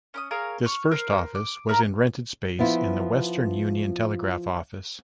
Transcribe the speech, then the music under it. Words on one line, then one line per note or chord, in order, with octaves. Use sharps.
This first office was in rented space in the Western Union Telegraph office.
C#4 D6 D#6
G#4 A#4 C#5 F5
C#6 F6
A#4 C5
D6
A#4 E5 A5 A#5
F3 B3 E4 F4